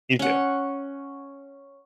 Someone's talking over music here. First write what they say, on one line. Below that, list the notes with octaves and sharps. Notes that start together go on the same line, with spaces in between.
You too.
C#4 F#5